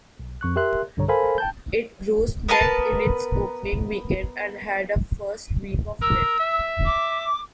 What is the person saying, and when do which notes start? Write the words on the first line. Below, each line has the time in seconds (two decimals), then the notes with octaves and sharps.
It grossed nett in its opening weekend, and had a first week of nett.
0.19 B1
0.41 F2 C#6 F#6
0.56 G4 A#4 E5 C6 F#6
0.97 B1 G2 D3 G3 C#5 A#5
1.08 A4 A#4 C5 F5 G#5 B5
1.38 G5 A5 G6
2.49 B3 A#4 B4 A5
6.02 A#4 E6
6.40 E5
6.85 D6